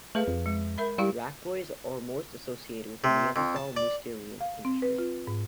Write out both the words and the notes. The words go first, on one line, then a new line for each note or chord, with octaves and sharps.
Racloirs are most associated with the Neanderthal Mousterian industry.
A3 G#4 B4 F5
F2
G#3
A#4 E5 B5
G3 E4 G4 F5
C3
F2
A5
D5
F5
C4
B4
F4
G#2